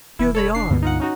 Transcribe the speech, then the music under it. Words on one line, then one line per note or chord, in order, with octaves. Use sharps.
Here they are.
F1 E3 E4
A4 C#5 B5
D4 C7
C#2 G2 B2 D3 B3
D#4 F4 F#5
C#4 D#4 F#4